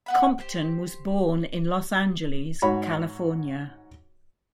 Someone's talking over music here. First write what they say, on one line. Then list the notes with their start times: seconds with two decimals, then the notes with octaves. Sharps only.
Compton was born in Los Angeles, California.
0.06 B3 F#5 B5
0.38 G4 C5 G5
2.62 G#2 F#4 C#5 B5